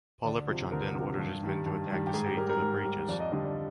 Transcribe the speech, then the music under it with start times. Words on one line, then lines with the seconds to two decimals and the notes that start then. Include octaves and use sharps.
Polyperchon then ordered his men to attack the city through the breaches.
0.24 D2 D5
0.47 C3 F3
0.72 D2 A#4
0.94 C3 F3
1.19 G2
1.43 D#3 G3
1.66 G2
1.90 D#3 G3
2.07 G4
2.14 G#2 G#4
2.26 G4
2.37 G3 A#4
2.49 A#4
2.61 G#2
2.85 G3
3.08 F2 D5
3.20 D#5
3.32 D3 G3 D#5
3.45 D5